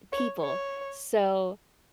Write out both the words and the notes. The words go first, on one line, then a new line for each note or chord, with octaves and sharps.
people. So,
C#5
C#5